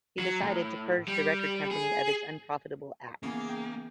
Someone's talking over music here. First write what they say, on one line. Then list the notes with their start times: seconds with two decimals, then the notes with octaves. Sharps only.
He decided to purge the record company of its unprofitable acts.
0.19 F#3
0.42 A2
1.08 G3
1.71 G#4
3.23 C#3 E3 A#3 B3 G#4
3.49 G5